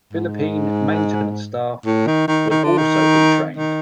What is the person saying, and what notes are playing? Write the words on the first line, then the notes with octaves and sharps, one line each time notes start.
Philippine maintenance staff will also be trained.
G#2
A2
D#3
D#3
D#3
D3
D#3
D#3